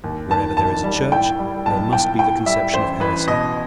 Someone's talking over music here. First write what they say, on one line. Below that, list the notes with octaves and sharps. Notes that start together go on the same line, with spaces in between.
Wherever there is a church, there must be the conception of heresy.
D#2
D#3 A5
E1 A5
G3
A2 G5
G3
B1 A5
B1 G5
A2 G5
G3 E5
A1 C5
A1 B4
B2 D#5